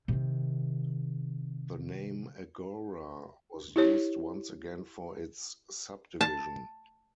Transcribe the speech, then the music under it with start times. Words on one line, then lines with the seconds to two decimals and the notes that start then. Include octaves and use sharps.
The name agora was used once again for its subdivision.
0.08 C3 D#3
3.76 E4 G4 C#5
6.21 A5